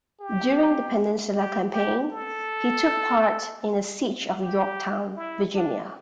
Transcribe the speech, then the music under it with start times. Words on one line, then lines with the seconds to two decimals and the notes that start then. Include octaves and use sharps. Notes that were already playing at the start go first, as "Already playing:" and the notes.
During the Peninsula Campaign, he took part in the siege of Yorktown, Virginia.
0.21 G4
1.35 G4
1.73 G4
2.11 A4
4.39 G4
5.16 E4
5.54 D4